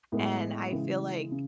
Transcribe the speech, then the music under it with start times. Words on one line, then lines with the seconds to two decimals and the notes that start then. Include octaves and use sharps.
and I feel like
0.12 A2 G#3 B3
0.72 C#3 E3 G#3
1.31 C#3